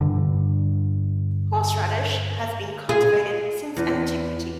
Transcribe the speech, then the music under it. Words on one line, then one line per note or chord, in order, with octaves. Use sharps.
Horseradish has been cultivated since antiquity.
G2 D3
G#4
E2